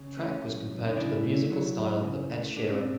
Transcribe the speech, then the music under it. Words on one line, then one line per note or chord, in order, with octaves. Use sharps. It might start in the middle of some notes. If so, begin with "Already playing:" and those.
The track was compared to the musical style of Ed Sheeran.
Already playing: C#3
A3 C#4
F#3
F#2
D#4
C#3 D4 E4
A3
F#3
F#2
C#3
A3
G#3 D4
C#4
C4 D4